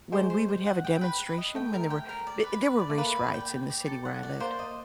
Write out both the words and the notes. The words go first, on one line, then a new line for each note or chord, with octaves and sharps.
when we would have a demonstration, when there were b there were race riots in the city where I lived,
G#3 C5
C5
C5
F#5
G5
B4
B4
D#5
A3 G5
A#4
G5
A#4
D5
B4
B4
D5
A3
A#3 B4
D5
G5
G5
D5
A4
F#5
D5
A#3 C5
D#5